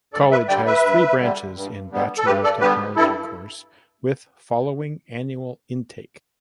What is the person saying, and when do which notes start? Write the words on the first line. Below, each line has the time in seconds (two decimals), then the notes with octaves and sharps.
College has three branches in Bachelor of Technology course with following annual intake.
0.13 G2 A4 D5
0.31 B4 E5
0.48 D3 G3 D5 G5
0.66 B4 E5
0.84 G2
1.19 D3 G3
1.55 G2
1.90 D3 G3 B3
2.18 A4
2.26 G2 G4 B4
2.43 A4 D5
2.61 D3 G3 B3 G4 B4
2.96 G2 E4 A4